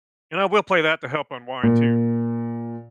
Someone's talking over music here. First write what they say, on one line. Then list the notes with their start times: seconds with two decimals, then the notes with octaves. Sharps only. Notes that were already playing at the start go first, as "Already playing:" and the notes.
And I will play that to help unwind too.
1.63 A#2